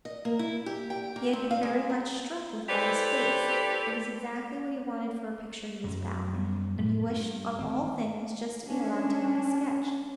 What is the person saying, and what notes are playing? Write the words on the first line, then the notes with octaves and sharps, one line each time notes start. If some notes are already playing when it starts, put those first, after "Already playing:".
He had been very much struck with Guy's face: it was exactly what he wanted for a picture he was about, and he wished of all things just to be allowed to make a sketch.'
D#5
A#3
E4
G4
G5
A#3
C4
F5
G#3
D#4
E4 G4 A4 B4 C5 D5
F#2 F#3
F#2 G3 B3
A2
G2
G#1 C4
C#4 D4